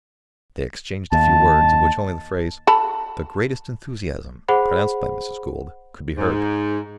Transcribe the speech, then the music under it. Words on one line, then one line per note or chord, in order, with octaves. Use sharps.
They exchanged a few words, of which only the phrase, "The greatest enthusiasm," pronounced by Mrs. Gould, could be heard.
D#2 A5
A4 A5 B5
G#4 C5 F#5 B5
G#2